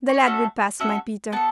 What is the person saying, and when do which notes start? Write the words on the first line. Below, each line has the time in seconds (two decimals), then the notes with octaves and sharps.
'The lad will pass, my Peter.
0.09 C#5
0.26 A3 C#4 F#4 A4
0.80 C#4 F#4 A4 E5
1.32 B3 A4 A5